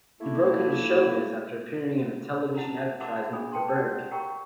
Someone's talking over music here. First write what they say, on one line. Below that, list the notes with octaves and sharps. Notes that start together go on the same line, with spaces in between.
He broke into showbiz after appearing in a television advertisement for Burger King.
A3 A#3 E4
E4 F#5 A5 A#5
E4 F#4 A#4 F#5 A5 D6
D4 G#4 B5 D#6
B4 G5 A5 C6
D5 F#5
F#4 G4 A#4 G5 A#5 C#6